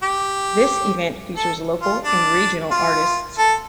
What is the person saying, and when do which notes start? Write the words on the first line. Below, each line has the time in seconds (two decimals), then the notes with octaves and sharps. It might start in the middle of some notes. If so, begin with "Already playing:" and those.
This event features local and regional artists.
0.03 G4
1.37 A4
1.82 F4
2.04 D4
2.71 F4
3.38 A4